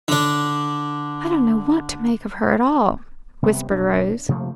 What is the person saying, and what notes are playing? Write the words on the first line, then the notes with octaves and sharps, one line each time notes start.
'I don't know what to make of her at all,' whispered Rose.
D3 D4
C3 G3 B3
B1 D4
C3 F3 A3 A#3